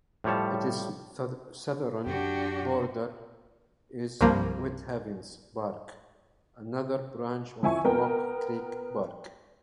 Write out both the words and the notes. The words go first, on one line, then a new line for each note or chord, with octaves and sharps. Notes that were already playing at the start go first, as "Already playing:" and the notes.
Its southern border is Whitehaven Park, another branch of Rock Creek Park.
A2 F3 G3 C#5 A5
F#2 D4 F#4 G4
C2 G2 F3 A#3
F3 E4 G#5 C#6
B3 A#4 G5